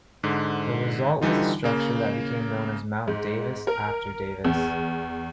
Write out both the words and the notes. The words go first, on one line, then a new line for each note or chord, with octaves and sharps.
The result was a structure that became known as Mount Davis after Davis.
G#2 D3
D3 E3 G3 D#4 F4
C#3 A#3
G#2
A#4
E2